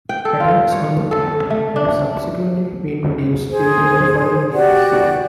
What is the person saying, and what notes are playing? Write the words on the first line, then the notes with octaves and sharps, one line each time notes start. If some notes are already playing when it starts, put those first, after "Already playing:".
Attacks on the pipeline have subsequently been reduced during the following years.
G5
A4
F4
C#5
A4
A3
D4
G#4 C5
F#4 G4 D5 F#5